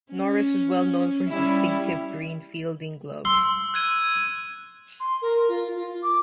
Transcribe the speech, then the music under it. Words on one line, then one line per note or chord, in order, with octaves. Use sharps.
Norris was well known for his distinctive green fielding glove.
C#4
G3 C#4 E4
C6 E6
F#6 G#6 D#7
C6
A#4
F4
F4
D6